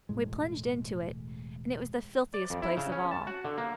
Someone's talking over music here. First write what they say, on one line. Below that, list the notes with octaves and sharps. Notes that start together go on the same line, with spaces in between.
We plunged into it, and it was the filthiest place of all.
E1 A2 G#3
D5
F2
E4
C#3
C#4
A5
F#4
D3
A#3